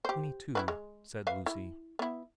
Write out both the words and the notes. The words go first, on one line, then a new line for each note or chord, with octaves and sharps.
'Twenty-two,' said Lucy.
G4 C5
E4 F#4 B4
G#3
B4 E5 F5
E4
B3 E4